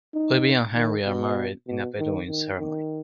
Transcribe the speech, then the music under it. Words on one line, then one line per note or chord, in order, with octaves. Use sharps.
Libby and Henry are married in a Bedouin ceremony.
D#4
D#3
B2
B2
D#3
D#3
D#3